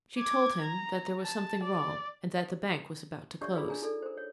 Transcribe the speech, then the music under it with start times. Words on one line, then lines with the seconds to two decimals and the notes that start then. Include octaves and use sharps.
She told him that there was something wrong, and that the bank was about to close.
0.19 D6 G#6
0.62 A#5
1.23 A5
1.64 D5
3.41 D4 G4 C#5 D5 E5 C#6
3.55 F4 G#4 D5 B5
3.69 D4 A#4 G#5 A#5
3.82 D#4 A4 D5
4.02 A#4 C5
4.17 C#5